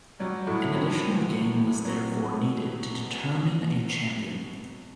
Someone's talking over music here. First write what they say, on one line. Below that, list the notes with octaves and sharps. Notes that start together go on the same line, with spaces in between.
An additional game was therefore needed to determine a champion.
F#3 G3
A2 F#3 A3
C3 F#3 C4
E3
A2
E3
F#3
F#3
B2